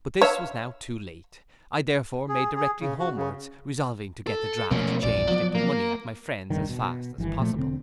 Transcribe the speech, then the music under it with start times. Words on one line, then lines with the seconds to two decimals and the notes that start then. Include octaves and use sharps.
But this was now too late: I therefore made directly homewards, resolving to get the draught changed into money at my friend's as fast as possible.
0.22 C#5 E5 F5
2.29 G#4
2.56 G#4
2.81 C#3
2.99 F#4
3.16 C#3
4.27 A4
4.71 B2 F3 A3 A#3 C#4
5.03 A#1 E2 A#2 D5
5.31 F3 F#3 B3
5.55 A#3
6.50 F1 E2 G2 D#3
6.69 B2
7.18 G1 D#3 E3 G3
7.37 A#2 F3 F#3 A3
7.54 E1 D3 C4